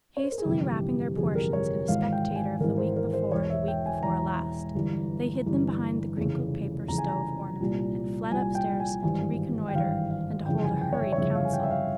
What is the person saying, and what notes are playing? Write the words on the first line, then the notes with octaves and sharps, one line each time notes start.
Hastily wrapping their portions in a Spectator of the week before the week before last, they hid them behind the crinkled-paper stove-ornament, and fled upstairs to reconnoitre and to hold a hurried council.
C#5
C5
A#4
G#4
G1 F2 C3 E3 G4
G1 F2 C3 E3 G#4
A#4
C#5
G#1 G#2 E3 F5
G5
G#5
G#1 G#2 E3 A#4
C5
A#4
C5
E1 E2 E3 C#5
E5
G5
G#5
E1 E2 E3 A#5
G1 G2 E3
G1 G2 E3
F1 F2 C#3 E3
F1 F2 C#3 E3 A#5
G#5
A#5
C2 A#2
C2 A#2 G#5
G5
G#5
G#1 G2 E3 G#5
G5
G#1 G2 E3 F5
F5
G1 F2 C#3 E3 G5
G#5
G5
C#5
E5
C#5
G1 F2 C#3 E3 E5
F5
G#5
G5
E5
F5